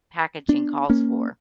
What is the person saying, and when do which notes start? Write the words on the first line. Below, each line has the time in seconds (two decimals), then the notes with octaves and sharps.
packaging calls for.
0.48 B3 D4
0.90 A#3 C#4